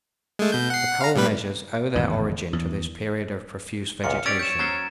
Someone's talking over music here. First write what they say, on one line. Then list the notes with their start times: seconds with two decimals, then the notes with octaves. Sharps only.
The coal measures owe their origin to this period of profuse vegetation.
0.39 G#3 A3
0.52 B2 G6
0.70 F#5 C7
0.88 F#5
1.01 F5 A#5
1.16 A2 G3 B4
1.95 G#1 E2 G2 C#3
2.53 E2
4.04 C#2 F#2 A#2 F5 C#7
4.26 C#4 G4 D5 E6 A6 D7
4.39 C#5 G6 E7
4.59 F#3 C#4 C5 A#5 G#6